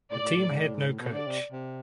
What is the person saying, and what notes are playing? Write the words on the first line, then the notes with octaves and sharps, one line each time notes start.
The team had no coach.
A2 D5
A2
A2
G#2
A2
G#2
A2
B2
D3 D5
C3
C3